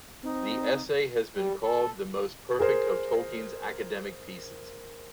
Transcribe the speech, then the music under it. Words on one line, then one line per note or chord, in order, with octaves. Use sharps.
The essay has been called "the most perfect of Tolkien's academic pieces".
C4 D#4
G3
A4
G#4 A#4 C5